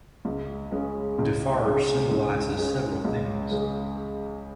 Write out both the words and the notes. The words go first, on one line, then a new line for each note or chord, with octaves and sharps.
Defarge symbolizes several themes.
C#2
C#3 G#3 C#4
C#2
C#3 G#3 C#4
C#2
C#3 G#3 C#4
C#2
C#3 G#3 C#4